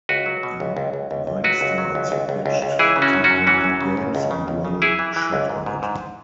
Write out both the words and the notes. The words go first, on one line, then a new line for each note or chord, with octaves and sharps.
In nine starts, he pitched two complete games and one shutout.
C#2 F#4 B4
F#3
B2
C#2
C#2
C#2
C#2
C#2
F#3 F#4 B4
C#2
F#3
C#2
C#2
C#2
C#2
C#2
E3 E4 G#4
C#3
C#4 F#4
F#2
C#4 F#4
F#2
E3 C#4 F#4
F#2
C#3
F#2
C#2
C#3
C#2
C#3
E3 E4 G#4
E3
E3
C#2
G#2
G#2
G#2